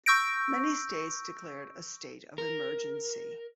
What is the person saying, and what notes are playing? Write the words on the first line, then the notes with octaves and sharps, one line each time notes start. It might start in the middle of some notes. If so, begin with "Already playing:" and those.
Many states declared a state of emergency.
C#6 E6 G6 A#6 D7
A#4